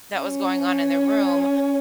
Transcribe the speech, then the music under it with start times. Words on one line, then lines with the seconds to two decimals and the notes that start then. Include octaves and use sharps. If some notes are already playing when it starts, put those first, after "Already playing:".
that was going on in the room,
0.17 C#4